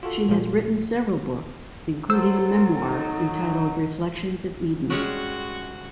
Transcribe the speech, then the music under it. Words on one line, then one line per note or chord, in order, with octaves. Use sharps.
She has written several books, including a memoir entitled "Reflections of Eden".
F4 F#4 A4
A#2 F3
F#3 A4 C5 E6
D#4
G3 G#3 C#4 F#4